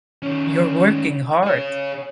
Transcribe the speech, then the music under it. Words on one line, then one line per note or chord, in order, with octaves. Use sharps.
You’re working hard.
D#3 C#4
G#4 C#5